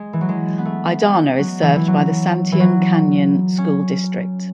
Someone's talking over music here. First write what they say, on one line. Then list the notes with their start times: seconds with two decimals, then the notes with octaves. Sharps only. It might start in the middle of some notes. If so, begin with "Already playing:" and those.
Idanha is served by the Santiam Canyon School District.
Already playing: G#3
0.13 E3
0.21 F#3
0.29 G#3
0.58 B3
0.65 A3
1.03 G#3
1.39 F#3
1.63 E3
1.76 E3
1.88 F#3
2.52 E3
2.60 F#3
3.58 C#4